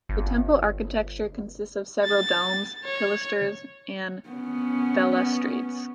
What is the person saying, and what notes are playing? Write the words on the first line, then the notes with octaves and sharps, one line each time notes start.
The temple architecture consists of several domes, pilasters and balustrades.
G1
A6
C#5
B3 C#4